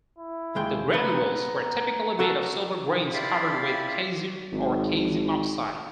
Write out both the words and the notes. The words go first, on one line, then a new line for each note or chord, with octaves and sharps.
The granules were typically made of silver grains covered with caesium or caesium oxide.
E4
D#2 G#3 G5
B3 A#5
F#4 A4 A#4
E4 F4 G4 D5 B5 C6
G#1